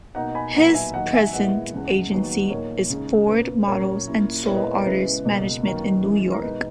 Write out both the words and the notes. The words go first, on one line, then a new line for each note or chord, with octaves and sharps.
His present agency is Ford Models and Soul Artist Management in New York.
B2 A#3 D#4 F#5 A#5
G#5 B5
A#2 F#3 B3 D#4 F#5 A#5
E5 G#5
D#2 D#3 F#3 D#5 F#5
E5 G#5
A#2 G#3 B3 E4 D#5 F#5
E2 C#3 E3
D#2 D#3 F#3 B3
A#2 A#3 D#4 A#4 C#5
C#3 G#3 D#4
A#2 A#3 C#4 B4
A#2 F#3 C#4 A#4 C#5
A#2 A#3 C#4 E4
A#2 G#3 B3 E4 A#4 C#5
B4 D#5
A#4 C#5
C#3 G#3 B3 E4 B4
C#2 B2 A#3
F#2 D#3 F#3 A#3 C#4
F#2 E3 G#3
A#4
B2 G#3 D#4 B4